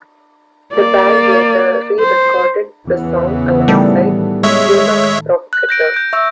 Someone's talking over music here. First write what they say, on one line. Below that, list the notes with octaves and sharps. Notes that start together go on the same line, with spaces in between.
The band later re-recorded the song alongside "Eunuch Provocateur".
A#3 D5
C5
E2 C#3 E3 B3
A2 D#3 G3 A4
G#3 C#5 E5
F#6
G6 A#6 D7
G6 D7
E5 C#6 E6